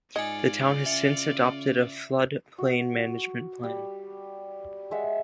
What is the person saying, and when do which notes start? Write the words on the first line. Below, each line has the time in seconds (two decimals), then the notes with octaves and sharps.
The town has since adopted a flood plain management plan.
0.16 G#2 F4 D5 D#5 G#5 G#6
0.86 C#3 E5 C#7 F7
2.58 F#4
3.63 G3
4.91 G#3 E5 F#5